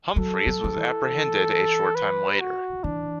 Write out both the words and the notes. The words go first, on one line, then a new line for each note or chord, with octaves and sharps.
Humphries was apprehended a short time later.
F#3 A4
F#3
F#3
E3
B4
F#4
E3 D4